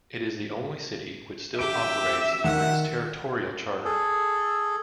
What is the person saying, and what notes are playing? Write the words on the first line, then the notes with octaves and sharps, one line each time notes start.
It is the only city which still operates under its territorial charter.
G4 E5 D7
D#3 F#5 E7
G#4 A4